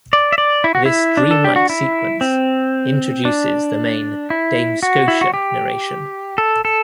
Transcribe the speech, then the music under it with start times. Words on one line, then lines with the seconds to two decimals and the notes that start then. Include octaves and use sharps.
This dream-like sequence introduces the main 'Dame Scotia' narration.
0.13 D5
0.32 E5
0.38 D5
0.64 E4
0.75 F#4
0.85 E4
1.17 D4
1.31 A4
1.44 G4
1.56 F#4
1.70 E4
2.21 C4
3.25 D4
4.30 E4
4.83 F#4
5.08 E4
5.21 F#4
5.34 G4
6.38 A4
6.65 A4